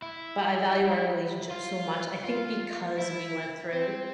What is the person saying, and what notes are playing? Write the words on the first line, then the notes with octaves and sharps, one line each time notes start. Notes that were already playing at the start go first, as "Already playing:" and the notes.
But I value our relationship so much, I think because we went through
E4
F4
F4
E4
C4